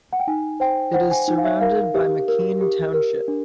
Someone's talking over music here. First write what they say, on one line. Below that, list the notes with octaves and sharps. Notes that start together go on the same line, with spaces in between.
It is surrounded by McKean Township.
F#5
G5
D#4 G#5
C5 G5
C5 F#5
G#5
D#4
F5
E5
A#4 F5
G4
A#4
G4
A#4
D4